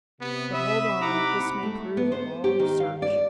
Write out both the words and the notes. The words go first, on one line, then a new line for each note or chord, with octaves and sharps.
"But, hold on, this may prove a long search."
C3 B3
E5 B5 D#6
C3 D#4 E4 F#5 A#5 B5 D6
A3
B3
C5
G4
D#3
F5
D5